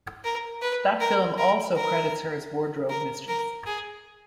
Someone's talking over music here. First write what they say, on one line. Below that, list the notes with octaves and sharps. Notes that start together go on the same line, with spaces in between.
That film also credits her as wardrobe mistress.
A#4
B4
A#4
A#4
A#4
A#4
A#4
G#4